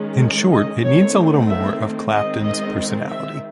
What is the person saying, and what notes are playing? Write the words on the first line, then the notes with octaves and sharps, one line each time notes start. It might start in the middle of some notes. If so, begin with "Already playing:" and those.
In short, it needs a little more of Clapton's personality.
Already playing: D#3 G#3 C#4
D#5
D#3 A3 C4 C#5
E5
D#3 G#3 C4 D#5
D#5
E5